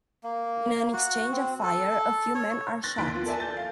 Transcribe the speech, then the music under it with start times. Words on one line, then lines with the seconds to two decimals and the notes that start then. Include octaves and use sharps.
In an exchange of fire, a few men are shot.
0.23 A#3
0.93 F#4
1.32 C4
1.63 A4
2.35 C#5
2.83 F#6 A6 A#6
2.98 D#2 E3 C6 B6 D7
3.14 F3 B3 F4
3.26 A4 A#4 D5 E5 G#5 A5
3.40 G6 A6
3.57 F5